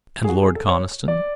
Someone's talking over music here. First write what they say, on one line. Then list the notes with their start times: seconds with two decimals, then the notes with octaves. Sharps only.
"And Lord Conniston?"
0.25 G#4
0.29 F#4
0.43 G#4
0.55 A4
0.68 C#5
1.08 D5